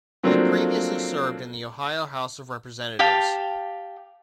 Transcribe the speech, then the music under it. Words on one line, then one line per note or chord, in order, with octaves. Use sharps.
He previously served in the Ohio House of Representatives.
F3 F#3 A3 A#3 C4 D4
G4 F5 G5 A5